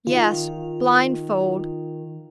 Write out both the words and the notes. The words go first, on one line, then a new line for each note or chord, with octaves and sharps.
Yes; blindfold.
D#3 F4